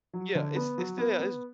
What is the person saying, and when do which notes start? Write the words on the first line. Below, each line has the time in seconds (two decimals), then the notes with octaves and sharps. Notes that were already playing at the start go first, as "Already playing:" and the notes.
Yeah, it's it's still it's
0.13 F#3
0.35 D3
0.56 B3
0.78 F#3
0.98 B3
1.19 B3